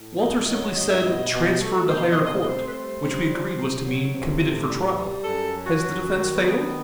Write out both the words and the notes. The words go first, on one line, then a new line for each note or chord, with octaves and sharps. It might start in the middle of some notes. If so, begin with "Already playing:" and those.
Walter simply said 'Transferred to higher court,' which we agreed was to mean, 'Committed for trial.' Has the defence failed?
Already playing: A2
A3 D#5
F#3 D#5
G2 D#5
E5
B2 D#5
B2
A3
B2 C5
D#5
C5
D#5
C4 C5
D#5
C5
D#5
A3 C5
B4
G3 C5
G3
G3
C3
F#3
C3
A2
G3
G3
F#2 A4
F#3
F#4
F#2
D#3
B3
D#3